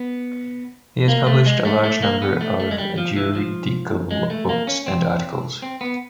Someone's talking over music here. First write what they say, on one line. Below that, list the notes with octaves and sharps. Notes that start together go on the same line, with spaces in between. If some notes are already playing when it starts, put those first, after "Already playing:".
He has published a large number of juridical books and articles.
Already playing: B3
A#3
A3
G#3
A3
A3
A#3
B3
A3
A3
G#3
G3
F3
E3
F3
G#3
A3
A#3
C#4
C4
C4
B3